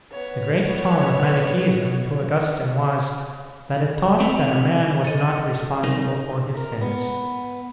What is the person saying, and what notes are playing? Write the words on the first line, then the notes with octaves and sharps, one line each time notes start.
The great charm of Manicheism to Augustine was that it taught that a man was not responsible for his sins.
B3 C#5
C4 E4 A4 B4 C#5
A4 D#5
C2 C4 D#4 A#4 B4
A#4
B3